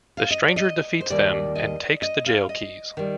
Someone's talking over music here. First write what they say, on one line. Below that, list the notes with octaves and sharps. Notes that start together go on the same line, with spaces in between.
The stranger defeats them and takes the jail keys.
F5
D#5
D5
D#5
C5
D#2 D#3 G3 D5
D#5
D#5
F5
D#5
D#3 G3